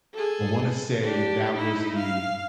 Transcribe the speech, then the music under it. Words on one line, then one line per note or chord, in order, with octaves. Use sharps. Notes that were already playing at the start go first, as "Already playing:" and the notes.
I wanna say that was the,
G#4 A4
D4 G4
D#4 E4
F5